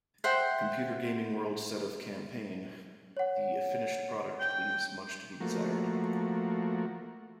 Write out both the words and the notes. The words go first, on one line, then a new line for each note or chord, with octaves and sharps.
"Computer Gaming World" said of "Campaign", "the finished product leaves much to be desired".
C5 E5 F#5 G5
C#5 F#5
G5
F3 A3 A#3 F#4